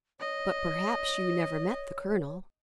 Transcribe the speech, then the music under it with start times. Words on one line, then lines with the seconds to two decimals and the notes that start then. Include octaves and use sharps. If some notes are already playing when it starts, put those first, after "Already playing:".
"But, perhaps, you never met the colonel."
0.20 C#5 D#5